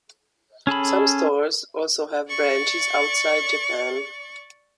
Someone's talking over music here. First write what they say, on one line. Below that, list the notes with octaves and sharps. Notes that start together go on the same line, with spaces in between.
Some stores also have branches outside Japan.
C#4 G#4 A4 B5
D5 C#6